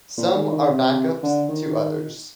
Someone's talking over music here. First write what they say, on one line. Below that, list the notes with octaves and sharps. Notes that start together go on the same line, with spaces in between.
Some are backups to others.
A#2
D#3
D#3
C3
D3
D#3